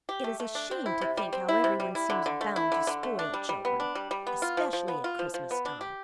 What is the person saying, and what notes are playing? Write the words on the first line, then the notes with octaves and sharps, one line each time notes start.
It is a shame to think how every one seems bound to spoil children, especially at Christmas time.
G4
A3
A3
D4
C4
E4
C3
G3
C4
E4
C3
G3
E4
D3
D3
A3
E4
D3
D3
A3
D4
G3
G3
B3
D4
G3
G3
B3
F4
F3
F3
B3
F4
F3
F3
B3
D4
G4